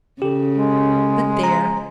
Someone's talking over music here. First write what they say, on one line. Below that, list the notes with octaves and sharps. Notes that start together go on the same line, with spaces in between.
But there!
C#3 G4 A4
G#3
A#5